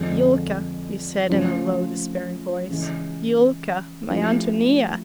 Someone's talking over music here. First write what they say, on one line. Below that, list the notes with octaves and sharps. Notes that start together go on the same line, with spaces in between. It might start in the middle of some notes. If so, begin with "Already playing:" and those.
"Yulka," he said in a low, despairing voice, "Yulka; my Antonia!"
Already playing: F2 D3 F3 G#3
C#3 F3 A3 C#4 F4
C#3 E3 G#3
F3 A3 C#4 E4 G4